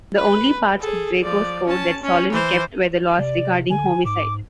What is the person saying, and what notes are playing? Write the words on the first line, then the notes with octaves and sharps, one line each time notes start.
The only parts of Draco's code that Solon kept were the laws regarding homicide.
B4
G#4 A4
F3 D5
C#4 A5
C#4
E3 C5
C3 D5
D3 G#5
G#2 D6